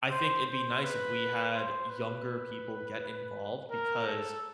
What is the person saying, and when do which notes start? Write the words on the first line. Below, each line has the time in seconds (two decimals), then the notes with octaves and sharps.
I think it'd be nice if we had younger people get involved because
0.11 C5
0.46 C5
0.82 B4
1.54 C5
1.90 B4
3.71 A#4
4.07 A4